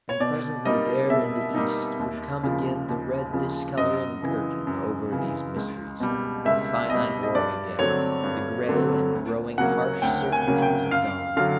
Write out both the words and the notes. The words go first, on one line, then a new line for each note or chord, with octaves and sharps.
And presently, there in the east, would come again the red discoloring curtain over these mysteries, the finite world again, the gray and growing harsh certainties of dawn.
C#5
B2 D5
G3 A#3 D#4 D#5
B2 E5
G3 A#3 D#4
D#2
C#3 F3
D#2
C#3 F3
F#2 D#5
C#3 E3
F#2
C#3 E3
C#2
B2 G3
C#2 E5
B2 G3 D#5
D#5
G2 D5
D3 F#3 A3 C4 C#5
G2
D3 F#3 A3 C4
D2
C#3 F#3 A#3 C#4 F#5
D2 G5
G#5
C#3 F#3 A#3 C#4
G5
F#2 F5
D3 F#3 F5